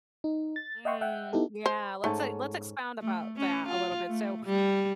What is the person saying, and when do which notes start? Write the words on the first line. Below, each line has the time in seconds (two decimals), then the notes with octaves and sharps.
Mm, yeah, let's, uh let's expound about that a little bit, so
0.24 D#4
0.56 A6
0.85 D#5 E5 F#5 G5 C6 C#6
1.01 E5 F#5 G5
1.33 B3 D#4 E4 G4 A4
1.66 C5
2.04 G#2 A3 C#4 A4
3.01 A3
3.37 C#4
3.68 F4
4.09 A3
4.46 G3